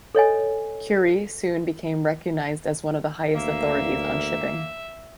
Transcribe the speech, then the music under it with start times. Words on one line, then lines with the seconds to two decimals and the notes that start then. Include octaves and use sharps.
Currie soon became recognised as one of the highest authorities on shipping.
0.15 A4 C#5 D#5 G#5
3.34 D2 A#3 E5